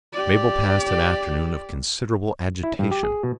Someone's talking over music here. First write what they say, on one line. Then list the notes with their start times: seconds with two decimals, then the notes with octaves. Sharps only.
Mabel passed an afternoon of considerable agitation.
0.13 G4 D5
2.63 E4
2.79 G2
2.91 G4
3.03 G#4
3.23 B2